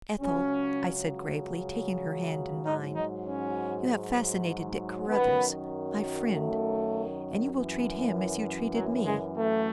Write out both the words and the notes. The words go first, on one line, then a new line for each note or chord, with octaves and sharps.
"Ethel," I said gravely, taking her hand in mine, "you have fascinated Dick Carruthers, my friend; and you will treat him as you treated me."
C#2 C#3 F#3 C#4
G#2 F#3 D#4
D#4
C#4
F#2 D#3 F#3 B3
A3
F#2 E3
F#3
G#3
A3